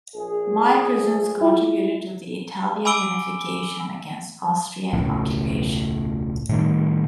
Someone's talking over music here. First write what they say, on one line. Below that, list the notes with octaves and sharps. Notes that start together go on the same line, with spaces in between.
"My prisons" contributed to the Italian unification, against Austrian occupation.
A#1 G#4
E4 F4 E5
G#5 B5 D6 E6 D7 G7
E1 C#2 A2
A2 D#3 G3